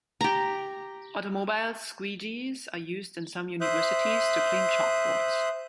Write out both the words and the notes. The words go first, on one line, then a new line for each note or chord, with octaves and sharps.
Automobile squeegees are used in some universities to clean chalkboards.
G4 A#5
C5 E5 D#6 F#6 G6